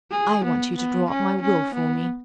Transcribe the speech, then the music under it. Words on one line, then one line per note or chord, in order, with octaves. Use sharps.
"I want you to draw up my will for me."
G#4
B3
B3
C#4
C#4
B3